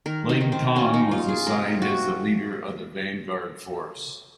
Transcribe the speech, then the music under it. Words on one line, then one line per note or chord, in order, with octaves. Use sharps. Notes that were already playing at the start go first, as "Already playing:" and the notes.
Ling Tong was assigned as the leader of the vanguard force.
D#3 A#4
D#4
D#3
C4
A#3 C#4
D#4
A#3 F4
G#4
C3 A#4
A#3 F#4